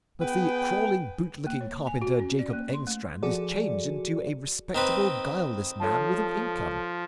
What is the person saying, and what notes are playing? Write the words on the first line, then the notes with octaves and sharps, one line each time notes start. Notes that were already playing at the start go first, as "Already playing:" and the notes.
But the crawling, bootlicking carpenter, Jacob Engstrand, is changed into a respectable, guileless man with an income.
B3 G#4 B4 G5
A#3
C#5
G#5
F#4
C#4
D5
A#3
C6
A3
F3 F#4 G#4 A4 D5
D#3 C4 B4
F3 A4 C#5 A5